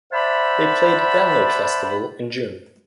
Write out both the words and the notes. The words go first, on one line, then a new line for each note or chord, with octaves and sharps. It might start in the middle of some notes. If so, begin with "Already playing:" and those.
They played Download Festival in June.
C5 D5 E5 F#5 A5 B5